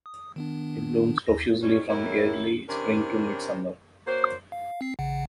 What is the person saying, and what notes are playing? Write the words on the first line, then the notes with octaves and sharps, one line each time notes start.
It blooms profusely from early spring to mid summer.
D#6
D#3 B3 D4
D#2 A#6
F2 G#2 G3 C#4 C#5
D#2 F#3 E4 A#4
C3 E3 C#4 D4 A#4
A#3 C#4 F#4 C5
F5
C4 C7
A1 C#3 F#5